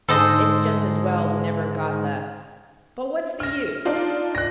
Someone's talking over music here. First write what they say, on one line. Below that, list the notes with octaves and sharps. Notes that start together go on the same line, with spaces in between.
It's just as well he never got the--But what's the use?
G#2 D3 G#3 A4 C5 D#5
F6 A#6
D4 D#4 F4
F#6 A#6